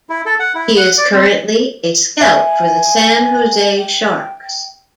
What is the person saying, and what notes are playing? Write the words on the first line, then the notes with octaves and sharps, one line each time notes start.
He is currently a scout for the San Jose Sharks.
E4
A4
F#5
E4
F#5
D5
C4
E5 G#5
G5